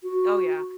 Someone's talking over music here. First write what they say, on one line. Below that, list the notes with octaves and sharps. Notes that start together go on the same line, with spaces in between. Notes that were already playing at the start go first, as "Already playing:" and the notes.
Oh, yeah.
F#4